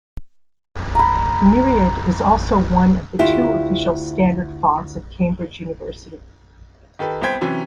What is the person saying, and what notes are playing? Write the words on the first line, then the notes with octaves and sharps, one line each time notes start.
Myriad is also one of the two official standard fonts of Cambridge University.
A#5 B5
D2 E4 F4 G4
D#3 G4 A4 B4
C2 B3 C5 G5 G#6 B6
C3 E3 F#3 C#4